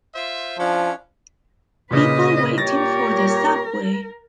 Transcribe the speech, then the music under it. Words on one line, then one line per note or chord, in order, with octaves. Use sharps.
People waiting for the subway.
F4 C5 E5
F3 C#4 D4 E4
A#2 C#3 B4 D#5
A#2 G4 A#4 C#5 A6 A#6